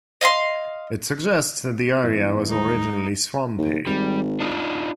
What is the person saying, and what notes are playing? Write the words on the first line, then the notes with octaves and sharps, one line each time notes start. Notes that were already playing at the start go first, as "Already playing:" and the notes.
It suggests that the area was originally swampy.
D#5 F5 B5 C6
G2 E3 F#3 B3 C4
G1 D#2 G3 G#3 D#4
D#2
G#1 G3
D4 D#4 F4